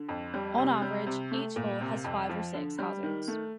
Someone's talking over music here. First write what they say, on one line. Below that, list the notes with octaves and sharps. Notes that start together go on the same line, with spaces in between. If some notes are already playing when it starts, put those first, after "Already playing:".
On average, each hole has five or six hazards.
Already playing: D3
F2
G3
C3
G3
C3
A3
A#2
C3
F2
F3
D3
G3
D#3
A3